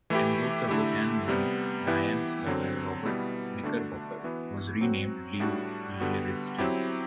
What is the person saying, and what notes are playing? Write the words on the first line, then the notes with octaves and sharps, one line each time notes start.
In both the book and movie Diane's lover, Robert Knickerbocker, was renamed Lew Lewiston.
E3 A3 E4 G4
D3 A3 E4 G4
C3 G3 B3
E3 B3 E4 G4
D3 F#3 C4
B2 G3 B3 E4
D3 A3 D4 F#4
E3 B3 F#4
F#3 C4 F#4
A2 G3 D4 F#4
D3 G3 B3 F#4
F#3 C4 E4 G4